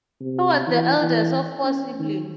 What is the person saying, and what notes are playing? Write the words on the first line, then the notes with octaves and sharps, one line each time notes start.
He was eldest of four siblings.
C3
E3
E3
C#4
D#3